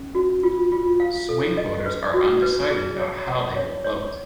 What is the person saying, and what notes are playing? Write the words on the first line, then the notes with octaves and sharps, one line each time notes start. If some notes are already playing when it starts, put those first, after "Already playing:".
Swing voters are undecided about how they will vote.
Already playing: C#4
F#4
F4
F4
F5
A4
D#5
B4
F#4
B4
G#4
C#5
F#5
C#5
C#5